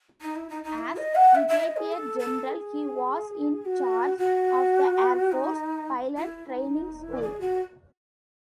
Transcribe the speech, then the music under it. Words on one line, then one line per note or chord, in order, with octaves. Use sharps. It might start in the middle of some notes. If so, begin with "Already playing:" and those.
As Brigadier General, he was in charge of the Air Force Pilots Training School.
D#4
E4
D#4
D#4
E4
D#5
F#5
E5
E5
D#5
G#4
A4
A4
G#4
G#4
F#4
F#4
D#4
E4
E4
D#4
E4
G#4
F#4